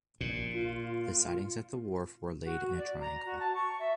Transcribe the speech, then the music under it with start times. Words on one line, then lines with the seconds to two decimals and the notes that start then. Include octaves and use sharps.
The sidings at the wharf were laid in a triangle.
0.21 A#1 A#2
0.54 F4
2.45 F#4
2.77 D5
3.00 A#5
3.25 F#4
3.39 A5
3.53 C#6
3.79 E5